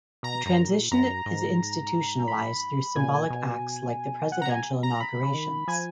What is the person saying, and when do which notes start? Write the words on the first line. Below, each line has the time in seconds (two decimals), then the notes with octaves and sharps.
The transition is institutionalized through symbolic acts like the presidential inaugurations.
0.23 B2 A#5
0.46 F#2
0.69 A#2
0.91 F#2 A#5
1.26 G#2
2.27 B5
2.95 A#2 G#5
3.30 B2
4.32 F#5
4.41 A#5
4.49 G#5
4.83 A#5
5.00 B5
5.23 C#3
5.34 D#3
5.68 F3 G#5